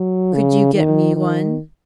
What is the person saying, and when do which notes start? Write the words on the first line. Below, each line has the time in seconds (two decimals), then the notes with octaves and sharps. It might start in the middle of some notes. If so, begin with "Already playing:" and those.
"Could you get me one?"
Already playing: F#3
0.34 C#3
0.74 D#3
1.15 D#3